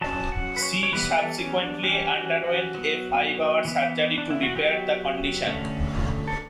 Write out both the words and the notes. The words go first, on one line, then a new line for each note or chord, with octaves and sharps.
She subsequently underwent a five-hour surgery to repair the condition.
F#3 C#4 A5
F#5
B4
C#5
C#5
E3 G3 B3 B4
A4
C#4
D4
E3 G3 C#4 G4
F#4
F#4
F#3 B3
E3 B3
D4
E4
F#4
F#3 B3 G4
D3 A3 C#4
A4